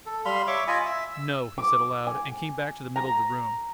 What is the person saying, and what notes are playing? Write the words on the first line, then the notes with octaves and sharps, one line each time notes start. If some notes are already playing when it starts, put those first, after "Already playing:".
"No," he said aloud, and came back to the middle of the room.
A4
G3 F5 B5 C6
C#5 E5 C#6 D6
F4 D#5 G#5 B5
E5
E6
D6
G#5
A#5